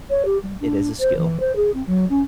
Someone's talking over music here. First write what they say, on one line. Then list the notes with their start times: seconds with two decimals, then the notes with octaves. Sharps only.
It is a skill.
0.10 C#5
0.25 G4
0.42 G3
0.60 D4
1.00 C5
1.17 E3
1.40 C5
1.55 G#4
1.73 C4
1.86 F#3
2.09 C#4